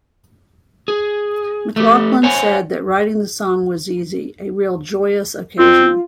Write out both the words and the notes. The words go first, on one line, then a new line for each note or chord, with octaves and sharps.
McLachlan said that writing the song was easy, a real joyous occasion.
G#4
A3 G4
C5 C#5 F#5 G#5
C4 F4